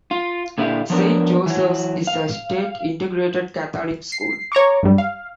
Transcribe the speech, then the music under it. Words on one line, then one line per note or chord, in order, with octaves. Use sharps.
Saint Joseph's is a state integrated Catholic school.
F4
A#2 D3 D4 E4 G4 F5
F3 F#3 B3 D4 A#4
E3 F#3
F5
C7
C#5 A#5 C#6 D6
G2 G3
F5